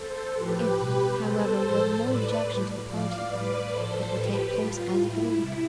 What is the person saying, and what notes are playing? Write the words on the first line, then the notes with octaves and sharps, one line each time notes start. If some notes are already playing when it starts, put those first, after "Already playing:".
If, however, you have no objection to the party, it will take place as agreed.
Already playing: A4 C5
A2 F3 G4 B4
B2 G3
B2 G3 A4 C5
A2
F3
A2 G3 B4 D5
A2 G3
A2 F3 D5 F5
A2 G3 B4 D5
A2 F3 A4 C5
A2 F3 G4 B4
A2 G3 F4
A2 G3 E4
C3 G3 E4